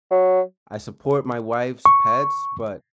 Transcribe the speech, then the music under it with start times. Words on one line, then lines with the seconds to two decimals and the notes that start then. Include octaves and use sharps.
I support my wife's pets, but
0.11 F#3
1.86 C#6